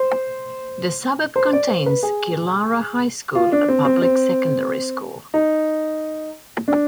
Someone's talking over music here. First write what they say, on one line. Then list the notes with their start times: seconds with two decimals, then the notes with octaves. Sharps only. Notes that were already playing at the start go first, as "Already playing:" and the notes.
The suburb contains Killara High School, a public secondary school.
Already playing: C5
1.36 C5
1.53 D5
1.68 C5
1.86 B4
2.03 G#4
3.35 F4
3.52 D4
3.68 C4
3.85 C4
4.02 C4
5.34 D#4
6.68 D4